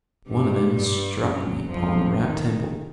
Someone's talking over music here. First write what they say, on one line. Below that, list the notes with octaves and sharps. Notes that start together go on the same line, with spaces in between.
One of them struck me upon the right temple.
G2 G3
G2 G3
F#2 F#3
F2 F3
D#3